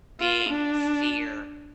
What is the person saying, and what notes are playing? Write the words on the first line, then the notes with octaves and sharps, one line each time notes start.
big fear
F4
D4